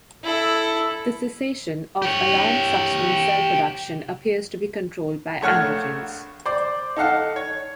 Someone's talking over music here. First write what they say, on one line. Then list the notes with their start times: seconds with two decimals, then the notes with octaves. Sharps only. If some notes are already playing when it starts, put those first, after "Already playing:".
The cessation of alarm substance cell production appears to be controlled by androgens.
0.23 E4 A4
2.02 G4 C#5
5.42 A#1 A3 C#5 F#5 F6
6.46 C5 D5
6.96 D#4 A4 F5 F#5
7.36 C#5